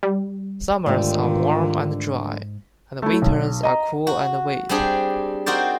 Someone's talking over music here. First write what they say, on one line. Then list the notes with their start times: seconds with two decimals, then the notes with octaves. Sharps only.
Summers are warm and dry, and winters are cool and wet.
0.03 G3
0.86 G#2 D3 D#3 A3 F4 G4
3.02 A3 E4
3.22 B1
3.63 D#5 A#5
4.07 F#4
4.69 G3 C4 D4 G#4
5.46 C4 D#4 F#4 A#4 C5 D5